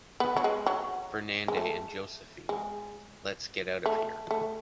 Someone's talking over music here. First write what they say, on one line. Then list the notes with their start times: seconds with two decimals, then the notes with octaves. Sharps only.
Fernande and Joséphine, let’s get out of here!
0.20 B3
0.37 F#3
0.44 G#3
0.66 F#3
1.48 G#3
1.57 A3
2.49 G#3
3.86 A3
4.31 A3